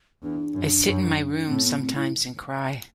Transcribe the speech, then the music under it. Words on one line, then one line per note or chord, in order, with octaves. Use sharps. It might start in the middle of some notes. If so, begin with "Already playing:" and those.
I sit in my room sometimes and cry.
E2 D4
F#2
F#2
A2 C4
B3
C4
E4